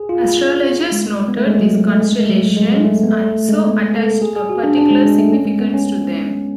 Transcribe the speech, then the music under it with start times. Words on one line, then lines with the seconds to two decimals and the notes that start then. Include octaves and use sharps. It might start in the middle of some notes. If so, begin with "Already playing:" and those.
Astrologers noted these constellations and so attached a particular significance to them.
Already playing: G#4
0.09 F4
0.92 G#3
1.28 B3
1.37 A3
1.46 G#3
1.60 F#3
1.75 G#3
1.88 A3
2.02 G#3
2.12 A3
2.20 G#3
2.29 F#3
2.57 G#3
2.74 G#3
2.84 A3
3.04 B3
3.12 A3
3.49 G#3
3.67 B3
3.95 A4
4.22 G#4
4.36 G#4
4.50 F#4
4.63 D4
4.77 D4
4.91 G#3
5.05 G#3
5.18 A3
5.33 C#4
5.46 G#3
5.60 B3
5.74 C#4